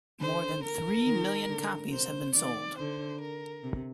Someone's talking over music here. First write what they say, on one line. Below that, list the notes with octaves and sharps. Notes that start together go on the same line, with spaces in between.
More than three million copies have been sold.
D3 C5
A#4
D#3
D3
C3 C5
D#3 D5
D3 C5
A#4
C3